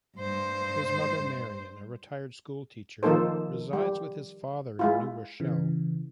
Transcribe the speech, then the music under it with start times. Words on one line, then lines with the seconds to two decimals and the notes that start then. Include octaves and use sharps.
His mother, Marian, a retired school teacher, resides with his father in New Rochelle.
0.17 G2 C5
3.03 D#3 F3 A#3 D#4 A4 C5
3.73 G3
4.79 G#3 E4 F4
5.40 C#3 E3